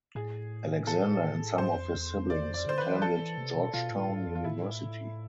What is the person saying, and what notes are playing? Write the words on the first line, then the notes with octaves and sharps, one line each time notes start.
Alexander and some of his siblings attended Georgetown University.
A2 G#4
A4
G#2 C5
F2
E2
F2
E2 D5
F2
D5
D3 C5
B4
E3
F3 A4
E3
C3
B2
B2 F4
A2
G#2
F2
F4
A2 E4